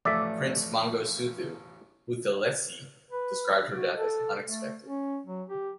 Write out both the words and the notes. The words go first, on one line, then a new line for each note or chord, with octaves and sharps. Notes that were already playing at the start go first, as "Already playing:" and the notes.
Prince Mangosuthu Buthelezi described her death as "unexpected".
A1 F2 A3 D5 E5
B4
F#4
A4
A3
C#4
F#3
G4